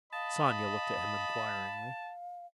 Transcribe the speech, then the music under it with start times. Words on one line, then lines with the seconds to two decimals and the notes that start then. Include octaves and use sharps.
Sonia looked at him inquiringly.
0.13 D#5 F5 A5 B5